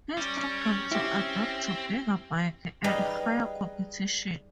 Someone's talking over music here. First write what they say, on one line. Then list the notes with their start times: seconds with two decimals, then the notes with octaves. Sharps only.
He struggled to adapt to bigger bike and higher competition.
0.17 G3 C#4
0.92 C4 E4 G4
2.84 G3 D#4 G#4 B4 D#5 F5